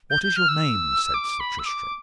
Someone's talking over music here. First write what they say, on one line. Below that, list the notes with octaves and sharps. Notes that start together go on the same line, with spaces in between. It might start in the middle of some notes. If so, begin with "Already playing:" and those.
What is your name? said Sir Tristram.
G6
G6
F6
E6
D6
B5
E6
D6